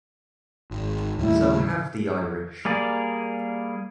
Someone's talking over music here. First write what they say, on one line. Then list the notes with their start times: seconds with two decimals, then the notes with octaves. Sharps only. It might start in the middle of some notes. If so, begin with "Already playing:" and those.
So have the Irish.
0.71 G#1
1.18 D#2 A2 G3 E4
2.65 G3 A#3 G#4 A#4 D5